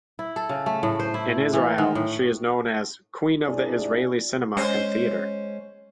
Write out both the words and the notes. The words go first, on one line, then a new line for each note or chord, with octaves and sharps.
In Israel, she is known as "queen of the Israeli cinema and theatre".
E4
A4
C#3
A3
A2
C5
E4
E3
D#3
A2
G2 C3 D4 E4 G#4 D5
G#3 C#4 C5